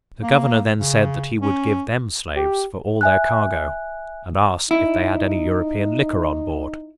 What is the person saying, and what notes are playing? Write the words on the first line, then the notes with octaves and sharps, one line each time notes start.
The governor then said, that he would give them slaves for all their cargo; and asked if they had any European liquor on board.
A#3
C#3
C#4
G4
E5 G#5 F#6
D#4 E4